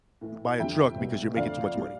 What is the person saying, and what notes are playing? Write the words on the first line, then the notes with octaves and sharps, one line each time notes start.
buy a truck because you're making too much money."
A2 E3 A3
F2 D3 G3 E5 G5
C2 B2 G3
F2 D3 F3 A3 D5 F5
A2 G3